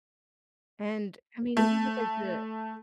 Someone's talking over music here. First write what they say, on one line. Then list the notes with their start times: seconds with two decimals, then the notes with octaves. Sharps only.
And, I mean, even with, like, the
1.57 A3